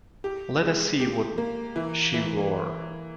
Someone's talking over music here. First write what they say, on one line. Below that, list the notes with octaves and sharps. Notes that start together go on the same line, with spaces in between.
Let us see what she wore.
G4
G#3
G4
A#3
E3
E3